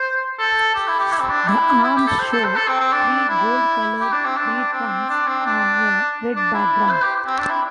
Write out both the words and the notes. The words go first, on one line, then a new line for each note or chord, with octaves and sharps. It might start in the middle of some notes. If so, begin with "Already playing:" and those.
The arms show three gold-colored tree trunks on a red background.
Already playing: C5
A4
G4
E4
G4
E4
C4
D4
E4
E4
G4
A4
C5
A4
C5
A4
C4
C4
D4
E4
G4
D4
C4
D4
C4
D4
C4
D4
D4
E4
C5
G4
C4
D4
E4